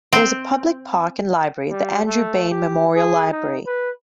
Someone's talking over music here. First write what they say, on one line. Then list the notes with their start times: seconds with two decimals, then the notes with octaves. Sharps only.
There is a public park and library, the Andrew Bayne Memorial Library.
0.13 C4
1.71 G3
2.06 A3
2.50 G4
2.95 G#4
3.31 D#4
3.66 B4